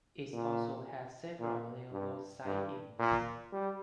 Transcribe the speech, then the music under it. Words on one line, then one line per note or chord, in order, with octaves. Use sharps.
It also had several railroad sidings.
A#2
A#2
G2
G2
A#2
G3